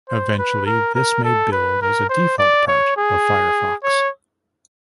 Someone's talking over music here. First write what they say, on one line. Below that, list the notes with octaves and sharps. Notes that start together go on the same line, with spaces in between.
Eventually, this may build as a default part of Firefox.
C5
B4
A#4
A#4
A4
B4
A#4
C5
D5
C#5
G#4
C#5